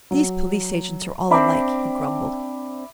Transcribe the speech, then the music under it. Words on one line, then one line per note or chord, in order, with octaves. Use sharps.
"These police agents are all alike," he grumbled.
F#3
C4 D4 E5 B5 D6